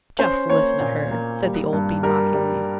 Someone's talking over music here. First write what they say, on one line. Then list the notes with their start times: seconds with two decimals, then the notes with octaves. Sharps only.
"Just listen to her!" said the old Bee mockingly.
0.19 C#4 C5
0.49 A#3 C#5
0.80 A#2
1.11 A#3
1.42 G3
1.73 G2
2.03 G3 A#4
2.34 G3